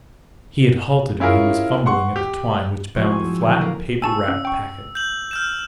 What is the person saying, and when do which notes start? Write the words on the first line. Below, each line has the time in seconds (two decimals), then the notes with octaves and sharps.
He had halted and he was fumbling at the twine which bound a flat, paper-wrapped packet.
1.20 C#4 E4 F4 G#4 A#4
1.86 F#5 C6 C#6
2.16 G4
2.96 F3 G#3 C4 E4 F#4 G#4
3.12 G#5
3.28 E6
3.41 A#2 D3 D#3 F#3 E4
3.61 A#3 D4 A#4 B4 F5
4.02 G#5 A5 C#6 E6
4.28 C#4
4.45 G5 C#6
4.95 G6 F#7
5.31 F6 G6 E7